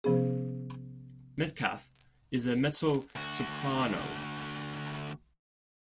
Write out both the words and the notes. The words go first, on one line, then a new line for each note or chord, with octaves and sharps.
Medcalf is a mezzo-soprano.
C3 F3 B3 C#4 G#4
D2 F#4